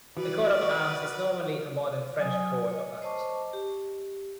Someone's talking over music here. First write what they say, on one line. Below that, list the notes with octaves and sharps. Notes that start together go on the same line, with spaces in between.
The coat of arms is normally a modern French coat of arms.
E3 G3 F#4 B4 D5
F#4 C#6
F#3 G#5 D#6
C#5 D#5
C5 D#5 A5 C#6 D6
G4